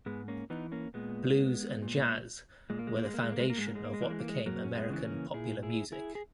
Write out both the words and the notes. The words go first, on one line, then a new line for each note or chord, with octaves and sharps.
Blues and jazz were the foundation of what became American popular music.
G#2 G#3 B3
A#3 C#4
E3 B3 D#4
A#3 C#4
A#2 G#3 B3
A#2
A#2 G#3
A#3
G#3
A#3
G#3
A#3
G#3
A#3
G#3
A#3
G#2 G#3
A#3
G#3
A#3
G#3
E3 A#3
G#3
A#3
G#3
F#2 F#3 A#3
C#4
G#3 B3
C#3 E3
A#3 C#4
A#2 E4 G#4
E4 G#4
E4 G#4
G#4